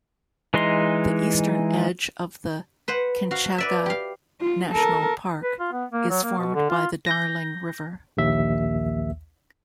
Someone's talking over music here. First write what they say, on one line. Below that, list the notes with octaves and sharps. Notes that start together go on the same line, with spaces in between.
The eastern edge of the Kinchega National Park is formed by the Darling River.
E3 G#3 D#4 D#5 C6
B4 C5 F#5
F#4 F5
B4 D5 E5
G4 F5
F4
A4 A#4
B4
F4
B3
A#3
F#3
A#3
B2
D3
F4
G6 A#6
A#1 D#2 E5